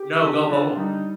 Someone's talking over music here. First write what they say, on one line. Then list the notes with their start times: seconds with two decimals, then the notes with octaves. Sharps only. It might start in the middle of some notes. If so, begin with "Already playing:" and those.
"No, go home.
Already playing: G4
0.20 D3
0.48 D3 F4
0.72 F4
0.77 G3 D#4